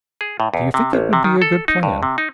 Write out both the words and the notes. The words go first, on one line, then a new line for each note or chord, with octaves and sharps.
"Do you think it would be a good plan?"
G#4
A2
E2
C3
A1
C3
D#3
A4
D#4
G2
C3
D#4